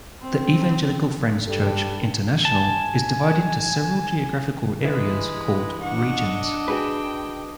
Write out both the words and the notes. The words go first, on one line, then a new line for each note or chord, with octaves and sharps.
The Evangelical Friends Church, International is divided into several geographical areas called "Regions".
C4
G2 G3 A4
G#5 A5
E3 G#3 B4
D4 D#5 F#5 C#6
F#4 G#4 B4 G5